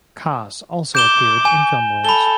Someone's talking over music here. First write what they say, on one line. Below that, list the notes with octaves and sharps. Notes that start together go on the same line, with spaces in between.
Kaas also appeared in film roles.
D6 G6 E7 G7
G#5
A4 B5 G7